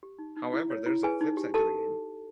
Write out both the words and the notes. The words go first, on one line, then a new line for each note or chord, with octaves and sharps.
However, there is a flip side to the game.
G4
D#4
D#4
E4
C#5
E4
G#4 B4 G#5
D#4
G4
G4 A4 A5